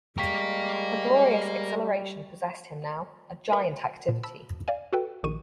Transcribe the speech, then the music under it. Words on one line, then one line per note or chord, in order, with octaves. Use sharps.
A glorious exhilaration possessed him now, a giant activity.
G3 G#3 A#4 F5 G5 C#6 B6
A#4 B4 E5 B5
A#2
A5 B5 E6
D5 F5 G#5
F#4 A4 B4 G5
A#1 D#3 C#6 D#7